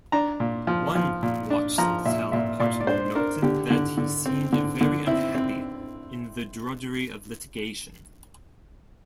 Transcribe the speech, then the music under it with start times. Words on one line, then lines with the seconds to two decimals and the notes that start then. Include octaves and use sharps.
One Wachtell partner noted that he seemed very unhappy in the drudgery of litigation.
0.12 D4 A#5
0.40 A#2
0.67 F3
0.95 F3
1.23 A#2
1.50 D4
1.78 F3 A#5
2.05 A#2 E5
2.32 A#2 E5
2.60 A#2 D5
2.80 D5
2.87 D4 C5
3.15 D4 A#4
3.42 D3 G4
3.70 D3
3.98 D3
4.26 C4
4.53 D3
4.81 D3
5.07 C4 E4
5.35 C4